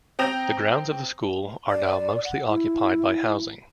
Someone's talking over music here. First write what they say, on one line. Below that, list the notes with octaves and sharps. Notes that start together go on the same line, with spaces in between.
The grounds of the school are now mostly occupied by housing.
C4 G5 A#5 D#6 A#6 F7
D5
F#5
E4